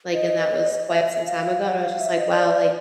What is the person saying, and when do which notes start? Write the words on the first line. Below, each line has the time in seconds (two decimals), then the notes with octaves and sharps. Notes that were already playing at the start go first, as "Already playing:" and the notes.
like, and that was quite some time ago and I was just like, "Wow, like,
0.14 D#5
0.88 E5
1.14 E5
1.25 F5
1.63 F#5
1.82 F5
2.00 E5
2.18 D#5
2.32 D#5
2.36 D5